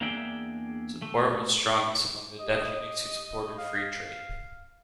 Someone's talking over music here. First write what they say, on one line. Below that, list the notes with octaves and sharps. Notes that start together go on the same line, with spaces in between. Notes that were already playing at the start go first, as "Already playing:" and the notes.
Support was strongest among the deputies who supported free trade.
E2 A#3 D4 G#4 E5 G5
A3
G4 D#5
F5